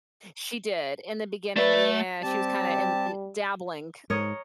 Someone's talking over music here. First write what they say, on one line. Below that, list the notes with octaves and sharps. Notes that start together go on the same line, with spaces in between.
She did, in the beginning, yeah, she was kinda in, uh dabbling
A3 B4 D5 E5
G3 C4 G4 A5
G#2 A#4 C#5 D#5